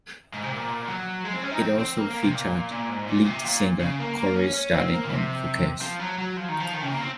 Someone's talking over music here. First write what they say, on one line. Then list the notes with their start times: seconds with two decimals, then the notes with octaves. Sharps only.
It also featured lead singer Corey Sterling on vocals.
0.33 G#2
0.43 C3
0.52 A#2
0.88 F#3
1.25 G#3
1.34 C4
1.44 C#4
1.52 D#4
1.62 C4
1.79 C4
1.98 A#3
2.10 A#3
2.23 C3
2.35 A#2
2.71 A#2
2.90 G#2
3.08 A#2
3.26 C3
3.44 A#2
3.80 C#3
4.00 A#3
4.17 A#3
4.36 C#4
4.54 C#4
4.72 C4
4.90 A#3
5.05 A#2
5.08 C3
5.82 F3
6.00 F#3
6.18 F#3
6.37 F3
6.48 D#3
6.60 F3
6.73 D#3
6.83 C#3
6.91 A#3
7.01 C4